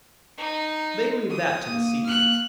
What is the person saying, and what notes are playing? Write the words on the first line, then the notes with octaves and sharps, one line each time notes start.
They leave that to the seaweeds.
D#4
D#6
A#3
F6 F#6